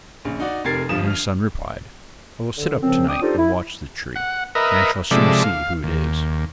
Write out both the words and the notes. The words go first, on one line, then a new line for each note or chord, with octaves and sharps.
And his son replied, 'I will sit up to-night and watch the tree, and I shall soon see who it is!'
A#1 C#3
D#4 F#4 D5
F1 C3 A#4 G#6 A6 C7
G1 G2 F3 D#6 E7
F6 F7
D3
F#2 C#3 F3 C4
D4 G5 D6 D#6
D4 D#4 F4 G4 A4 C5
E4
F#5
A#4 B4 D#5 E5
C3 F3 G#3 A4 D5 E5
F5
D#2